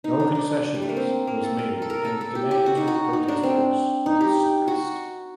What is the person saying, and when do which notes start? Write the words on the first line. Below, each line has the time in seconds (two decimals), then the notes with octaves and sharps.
No concessions was made and the demands with protesters was suppressed.
0.04 D#4
0.20 D4
0.35 D4
0.74 G3
0.82 A3
0.89 A#3
0.97 C4
1.27 A#3
1.43 A4
1.58 A#4
1.82 A4
1.90 A#4
2.05 A4
2.21 A4
2.35 G4
2.51 G4
2.66 F#4
2.77 D#4
2.88 F#4
3.13 D#4
3.28 D4
3.43 C4
4.06 D#4
4.21 G4
4.68 F#4